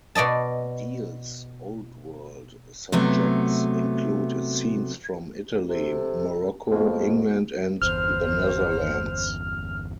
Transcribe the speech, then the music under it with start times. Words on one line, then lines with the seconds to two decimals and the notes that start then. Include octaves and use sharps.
Diehl's Old World subjects include scenes from Italy, Morocco, England, and the Netherlands.
0.15 B2 D5 D#5 A5
2.92 C3 F#3 A3 B3
5.69 C3 A4
6.71 F2 G#3 A#3 B3 F#4
7.82 G1 E2 C5 F6